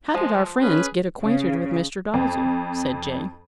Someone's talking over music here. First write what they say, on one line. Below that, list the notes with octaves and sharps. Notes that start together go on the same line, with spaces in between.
"How did our friends get acquainted with Mr. Dalzell?" said Jane.
F3 G#3
C#4 G#4 B4
C#3
F2